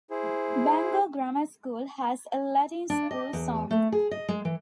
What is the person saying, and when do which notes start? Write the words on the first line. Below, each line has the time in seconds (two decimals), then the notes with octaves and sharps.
Bangor Grammar School has a Latin school song.
0.11 E4 G#4 C5
2.90 D4
3.11 D#5
3.33 E2
3.71 A3
3.92 G#4
4.11 D#5
4.29 G#3
4.45 E3